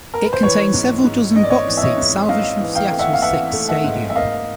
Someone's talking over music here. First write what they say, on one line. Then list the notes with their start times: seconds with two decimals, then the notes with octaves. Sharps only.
It contains several dozen box seats salvaged from Seattle's Sick's Stadium.
0.14 A#4
0.24 B4
0.33 C5
0.43 E3 B4 C#5
0.74 G#2
1.04 G#2
1.36 G#2 D#5
1.43 D5
1.50 C#5 D#5
1.67 E3
1.77 E5
1.82 C#5 D#5
1.98 G#2
2.29 G#2 D#5 F5
2.60 E3
2.75 F5 G5
2.91 A3
2.99 E5 F#5
3.13 F5
3.22 E3 E5 F#5
3.53 A3
3.69 E5 F#5
3.84 G#2
4.10 E5
4.16 A#3 D#5 F5